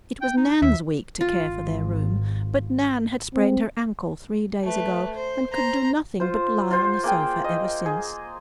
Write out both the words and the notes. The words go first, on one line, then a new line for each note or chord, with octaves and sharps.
It was Nan's week to care for their room, but Nan had sprained her ankle three days ago and could do nothing but lie on the sofa ever since.
G5
D#4
D#2 E5
G#1 F4
C4
A3 B4
C5
C5 A#5
F4 C5
F4 C5 F#5
A#3 G#4 G5
D#5
G#4